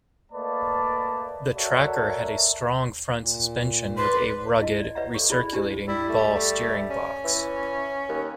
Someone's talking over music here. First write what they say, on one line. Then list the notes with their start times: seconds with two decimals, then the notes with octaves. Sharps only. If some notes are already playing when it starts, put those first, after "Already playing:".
The Tracker had a strong front suspension with a rugged recirculating ball steering box.
0.32 A3 A#3 B4 D5 D#5 A5
1.55 F#4 A4 A#4 C#5 D5 E5
3.19 A#2
3.97 B4 D5 C6
4.59 E4 D#5
4.80 D5
4.95 B4 C#5 D#5 E5 F#5 A#5
5.14 A4 C#5 C#6
5.30 E4 G#4 B4 C5 D5 B5
5.53 D4 E4 G4 B4 C5
5.88 G3 E4
6.09 A3
6.34 A3
6.90 C#4
7.24 E3
8.09 D#2